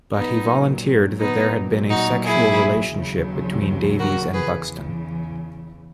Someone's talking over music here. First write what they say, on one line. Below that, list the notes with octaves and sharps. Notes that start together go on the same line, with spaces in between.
But he volunteered that there had been a sexual relationship between Davies and Buxton.
A#2 F#3 B3 D#4
B3 D#4
A#2 F#3
D#4 F#4
E4 G#4
D#2 C#3 F#3
F#4 A#4
E2 C#3 E3 G#4 B4